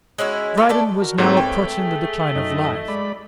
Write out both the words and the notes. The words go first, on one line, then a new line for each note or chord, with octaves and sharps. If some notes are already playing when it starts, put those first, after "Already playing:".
Dryden was now approaching the decline of life.
G#3 C#4 E4 F#4
A3 B3 F4 A4
A3 A4 D5 A5
F#4 A#4
G#2 A3 A#3 C4 G4 A#4
B4 C#5 G5
G#4
F#2 D#4 D#5
G#3 D5 B5